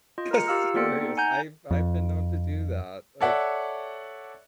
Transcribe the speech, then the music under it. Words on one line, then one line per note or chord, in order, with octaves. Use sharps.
serious I've I've been known to do that, I've
F4 D#5
A#4 A#5 C#7
F4 G4 F5 E6 F6
A#3 B3 A4 D5 G5 C#7
D#4
F#5 G#5 A#5 G6
F2
A4 C#5 D5 E5 F#5